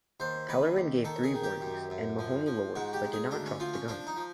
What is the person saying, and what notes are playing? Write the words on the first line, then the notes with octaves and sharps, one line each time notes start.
Kellerman gave three warnings, and Mahoney lowered, but did not drop, the gun.
D#2 C5
D#2 B4
D#2
D#3 A4
G#4
D#3
G4
F#2
F#2
F3
F3
G#2 F#4
G4
G#2
G#4
D2 D4
C#4
F3 F4
C#4
F3 D4
D#4
F3